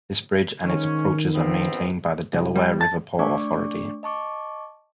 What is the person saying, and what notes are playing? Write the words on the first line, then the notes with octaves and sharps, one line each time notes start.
This bridge and its approaches are maintained by the Delaware River Port Authority.
G#2 D#3 C#4
A#1 B3 C4
C2
G3
A5
A3 D4 D5 C#6 D6
D#5 A5 C#6 D6